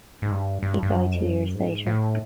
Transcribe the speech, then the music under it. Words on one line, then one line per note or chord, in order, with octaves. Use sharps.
He died two years later.
G#2
G2
G2
G2
F#2
F2
F#2
G#2
A2